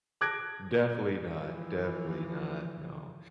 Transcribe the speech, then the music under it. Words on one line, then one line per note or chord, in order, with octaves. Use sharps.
Definitely not, definitely not no,
A5 D6 F#6 G#6 A#6 D7
E3 F3